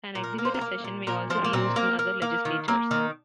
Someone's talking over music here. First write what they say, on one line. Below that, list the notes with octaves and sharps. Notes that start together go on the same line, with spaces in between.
An executive session may also be used in other legislatures.
A#2
A#4
A#3
C5
A#4
A#3
A#2
A#2 A#4
F3 C5
A#3
A#2 C4
A#3
A#3
A#3
D#3
A#3 C4
D#3 C4